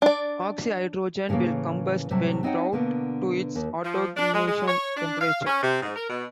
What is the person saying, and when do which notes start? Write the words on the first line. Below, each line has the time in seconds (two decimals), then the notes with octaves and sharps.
Oxyhydrogen will combust when brought to its autoignition temperature.
0.02 D4 D5
1.29 A2 C#3 E3 A3 A#3
2.10 A2 C3 F#3 G3 A3
2.43 B3 C4 D#4 C#5 F#5 G5
2.72 B2 D3 A#3 B3
3.56 D#2
3.84 F3
4.17 D4
4.34 G#3
4.47 G#3
4.67 C#5
4.96 D4
5.21 F5
5.46 C#4
5.62 C3
5.82 G#2
5.96 A#4
6.10 B2